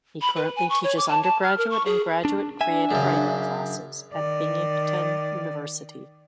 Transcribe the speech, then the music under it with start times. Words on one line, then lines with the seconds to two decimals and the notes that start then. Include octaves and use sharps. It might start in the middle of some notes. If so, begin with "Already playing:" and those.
He currently teaches undergraduate and graduate creative writing classes at Binghamton University.
0.22 B5
0.36 B4
0.56 G#5
0.70 C#6
0.84 C#5
0.97 D6
1.09 A5
1.23 A5
1.43 F6
1.58 A#4
1.70 C#6
1.86 G#4
2.25 D4
2.61 D4 E5 G#5
2.91 F#2 C#3
4.13 D#3 D5